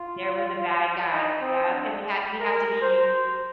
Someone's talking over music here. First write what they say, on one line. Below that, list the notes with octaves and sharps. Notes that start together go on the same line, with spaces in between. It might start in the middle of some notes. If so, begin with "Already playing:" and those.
There was a bad guy, yep, and we had we have to be
Already playing: F4
D#4
C4
D4
A#4
C5